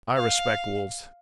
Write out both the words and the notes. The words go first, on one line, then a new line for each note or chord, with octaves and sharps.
I respect wolves.
F5